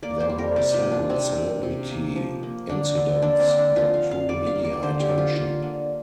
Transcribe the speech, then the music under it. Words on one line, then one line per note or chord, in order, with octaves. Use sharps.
There were several celebrity incidents that drew media attention.
A#3 D5
C5
G3
A#4
C3 G4
F4
A#3
D4
C3 C4
C3
C3
A#3
F3
A#3
D3 D4
D3
A#3 D4
C4
D3
D4
F3 F4
F5
D3
F5
G3 D5
F5
A#3
D5
D3 C5
G4
D3
F4
A#3 F4
D3